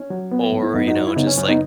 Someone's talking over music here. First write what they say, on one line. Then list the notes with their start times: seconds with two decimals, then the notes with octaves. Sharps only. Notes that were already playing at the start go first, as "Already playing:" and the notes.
or, you know, just, like,
Already playing: C#4
0.10 F#3
0.31 B3
0.52 G#2
0.63 E4
0.74 F#2 B3 D#4
0.88 D#4 F#4
0.95 F#3
1.07 E4
1.16 C#3 B3 D#4
1.27 C#4
1.37 F#2 C#4
1.48 B3 D#4